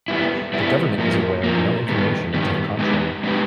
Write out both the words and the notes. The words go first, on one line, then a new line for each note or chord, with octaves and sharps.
The government is aware of no information to the contrary.
G3 B3 E4
G3 B3 E4
A2 F3 A#3
A2 F3 A#3
G2 D#3 G3 B3
G2 D#3 G3 B3
G#3 B3 D#4 G4 B4
G#3 B3 D#4 G4 B4